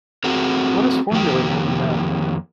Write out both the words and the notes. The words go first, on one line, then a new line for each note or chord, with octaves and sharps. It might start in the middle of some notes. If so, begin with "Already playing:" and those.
Let us formulate what we know.
A3 C4 F#4 G#4 A#4
F2 D#3 A#3 G4